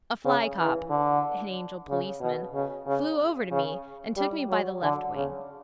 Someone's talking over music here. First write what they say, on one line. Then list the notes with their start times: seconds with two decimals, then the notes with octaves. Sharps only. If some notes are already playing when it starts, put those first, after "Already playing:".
A fly cop--an angel policeman--flew over to me and took me by the left wing.
0.25 C#3
0.58 E3
0.90 D3
1.89 C#3
2.21 B2
2.54 C#3
2.87 C#3
3.51 C#3
4.17 G3
4.49 F#3
4.83 D3
5.15 C#3